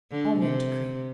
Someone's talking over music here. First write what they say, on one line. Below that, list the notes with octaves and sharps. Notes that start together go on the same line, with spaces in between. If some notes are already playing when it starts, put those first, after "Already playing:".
Almond Cream.
D3
C3